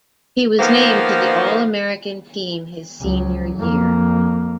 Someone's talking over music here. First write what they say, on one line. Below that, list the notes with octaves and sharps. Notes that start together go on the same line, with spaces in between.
He was named to the All-American team his senior year.
D#3 F3 A#3 B3 C5 F5
C#2 F#3
F2 A#3